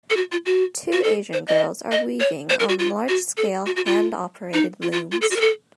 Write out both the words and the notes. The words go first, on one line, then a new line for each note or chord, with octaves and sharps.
Two Asian girls are weaving on large scale handoperated looms.
A4
F#4
F4
F#4
F#4
A4
C5
D#5
D#5
C#5
C5
A#4
F#4
F4
F#4
A4
F#4
F#4
F4
D#4
F4
F4
F4
A4
F#4
A#4
A4